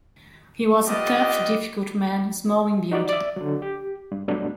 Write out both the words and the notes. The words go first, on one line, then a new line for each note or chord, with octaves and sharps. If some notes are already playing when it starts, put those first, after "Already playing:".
He was a tough, difficult man, small in build.
B3 F4 G4 D5 D#5
D#4 F#4 G4 D5
D5 E5
D3 F#3
G4
G2
G2 B2 F#3 A3 D4